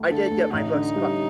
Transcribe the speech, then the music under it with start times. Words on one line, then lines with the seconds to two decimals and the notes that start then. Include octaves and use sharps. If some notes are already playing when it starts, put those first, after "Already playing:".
I did get my books pu
Already playing: D2 A3
0.10 D3 A4
0.31 D2
0.53 A1 D#4
0.74 D3
0.96 G3